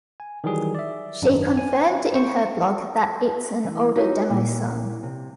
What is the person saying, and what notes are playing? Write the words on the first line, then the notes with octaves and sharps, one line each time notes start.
She confirmed in her blog that it's an older demo song.
G#5
D#3 E3 F#3 G3 G#4
D5 E5
G#1 F#2 D4 D#4
G#5
C5 C#6
E3
D#4 E4 F#4 G4 B4 C#5
A#2 E4
C3